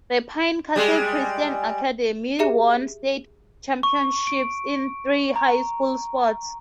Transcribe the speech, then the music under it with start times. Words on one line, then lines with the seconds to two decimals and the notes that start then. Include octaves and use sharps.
The Pine Castle Christian Academy won state championships in three high school sports.
0.76 G3 G#3
2.39 G4 G#4 E5 A#5 C#7
3.83 C#6
4.27 D7
5.36 A#5